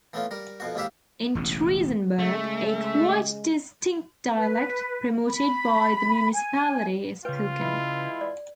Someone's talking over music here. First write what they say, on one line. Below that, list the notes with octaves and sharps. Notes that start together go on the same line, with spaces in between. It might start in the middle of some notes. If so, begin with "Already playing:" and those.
In Triesenberg a quite distinct dialect, promoted by the municipality, is spoken.
E3 A3 B3 C#4 F4
G3 A#4
F2 B2 F#4
D#2 G#2 E4 G4 E5 F5
E1 A1 C#3
C#3 G#3 A3 E5
B4
B5
G#5
C#3 F4 B4 G5
E3 G#3 E4 B4
D5